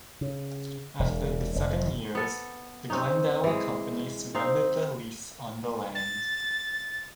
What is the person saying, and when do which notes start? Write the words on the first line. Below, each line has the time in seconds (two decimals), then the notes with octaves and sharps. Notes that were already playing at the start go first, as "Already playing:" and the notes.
After the seven years, the Glendower Company surrendered their lease on the land.
0.21 C#3
0.99 E1
1.55 F1
2.15 B3 A4
2.90 C4 C#4 D#4
3.44 E3 G#3
4.35 C4 D#4 F5
5.95 A6